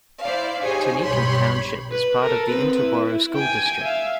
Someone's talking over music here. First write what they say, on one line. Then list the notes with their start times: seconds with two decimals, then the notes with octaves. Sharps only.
Tinicum Township is part of the Interboro School District.
0.22 E4 C5 D5 F5
0.61 D#4 G4 G#4 C5 C#5 G#5
1.05 B1 G2 G4 C#5 B5 C6
1.92 B4
2.21 A4 A#4
2.50 C4 B4
2.82 E4
3.35 G5 G#5
3.82 E5 F5